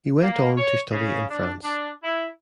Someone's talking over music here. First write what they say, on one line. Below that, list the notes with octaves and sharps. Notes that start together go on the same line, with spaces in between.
He went on to study in France.
A#3
C#5
C#3
D4
D4
E4